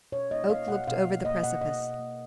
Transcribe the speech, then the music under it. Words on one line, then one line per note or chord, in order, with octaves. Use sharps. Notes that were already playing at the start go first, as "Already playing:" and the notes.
Oak looked over the precipice.
B2 C#5
A#3 D#5
A#3 F5
B2 F#5
B2 F5
A#3
A#3 D#5
B2 F#5
B2 D#5
A#3
A#3